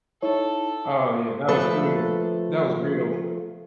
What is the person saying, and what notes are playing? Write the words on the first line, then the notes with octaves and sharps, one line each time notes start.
Oh, yeah, that was brutal. That was brutal.
D#4 E4 A4 C#5
F3 A3 A4 B4